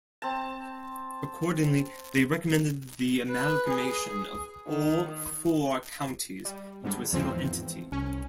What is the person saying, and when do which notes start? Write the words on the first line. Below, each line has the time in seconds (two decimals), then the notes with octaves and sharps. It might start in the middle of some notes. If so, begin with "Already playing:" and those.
Accordingly, they recommended the amalgamation of all four counties into a single entity.
0.22 C4 A5
3.28 B4
3.69 G#4
4.68 D#3
6.45 G3
6.83 G#2 D3 G3
7.13 E2 G#2 E3 F3 C4
7.92 C2 C#4